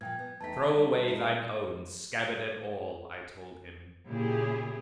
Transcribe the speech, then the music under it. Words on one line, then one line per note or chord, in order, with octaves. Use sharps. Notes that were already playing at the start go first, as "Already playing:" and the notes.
"Throw away thine own, scabbard and all," I told him.
A#2 F3 G5 G#6
B3
E2 A3 D#4 A5 A#5 B6
C4
G3
G#3 C#4 E4
A#2 C#3 E4 G4 G#4